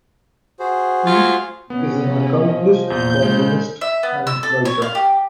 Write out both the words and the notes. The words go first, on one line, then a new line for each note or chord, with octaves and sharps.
He is an accomplished trombonist and writer.
F#4 G#4 C5
F4
C3 B3 C#4
C#3
F3 D#5
E2 A#2 G6
C#3 G#3
E5
B3
E6
A4
C#5
F5
G4